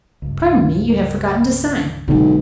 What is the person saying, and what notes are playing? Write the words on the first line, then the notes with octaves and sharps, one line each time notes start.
"Pardon me, you have forgotten to sign."
C#2 G2
B1 B2 D3 G#3 C4